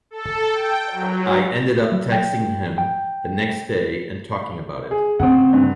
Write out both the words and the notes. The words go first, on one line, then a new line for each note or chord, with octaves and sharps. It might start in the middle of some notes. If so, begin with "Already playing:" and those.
I ended up texting him the next day and talking about it.
A4
G5
F#3
F#3
G5
G5
G#4
C#3 C4 F#5
G2